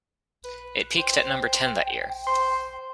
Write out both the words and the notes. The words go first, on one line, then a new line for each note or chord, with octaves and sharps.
It peaked at number ten that year.
B4
C5 G5
C5 C6